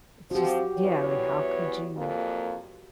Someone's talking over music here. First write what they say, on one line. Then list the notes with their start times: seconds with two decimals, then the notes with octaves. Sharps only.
it's just yeah, like, how could you
0.31 F3 C4 F#4 G4
0.78 E2 E3 C#5
1.96 F2 A#2 A#3